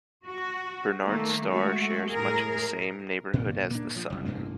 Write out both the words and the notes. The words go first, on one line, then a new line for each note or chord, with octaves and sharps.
Barnard's Star shares much the same neighborhood as the Sun.
F#4
D#3 A3 A#3
G#3 A3 F#4
A2 G#4 A#4
G2 A#2
A#3 D4
F3
F#1 C2
A1 G2 C3 A#3